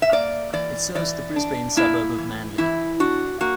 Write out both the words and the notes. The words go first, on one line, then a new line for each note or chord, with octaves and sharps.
It serves the Brisbane suburb of Manly.
E5
A#3 D5
E3 D5
E3 D5
D4
A#3 E4
E3
E3 E4
D4 F#4
A#3 F#4